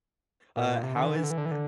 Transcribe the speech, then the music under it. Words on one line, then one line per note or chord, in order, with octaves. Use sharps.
uh, how is ha
A#2
A#2
C3
D3
E3
D3
E3
D3
E3
D3
E3
D3